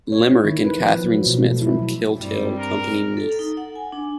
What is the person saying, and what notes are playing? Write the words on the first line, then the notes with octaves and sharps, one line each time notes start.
Limerick, and Catherine Smith from Kiltale, Company Meath.
C#5
E4
D#3
B4
F3
F#3
B2
A3
E4
F#3
G2 G3 C4
A#4
A4
D#4
F#5
G#5
D4